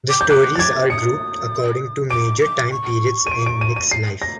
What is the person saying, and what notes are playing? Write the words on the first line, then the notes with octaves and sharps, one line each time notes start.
The stories are grouped according to major time periods in Nick's life.
D6
G6
D6 F#6
A6
D6 G#6
D#6 C#7
D6 D7
D6
C#6
D#7
D7
D7
D#7
D#7
C7
A#6